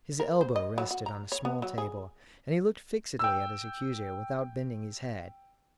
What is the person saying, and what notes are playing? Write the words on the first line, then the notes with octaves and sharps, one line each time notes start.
His elbow rested on a small table, and he looked fixedly at his accuser without bending his head.
A#4
C5
D#5
F#3
F#4
A#5
C#5
B3
F#3
G#4
G5 E6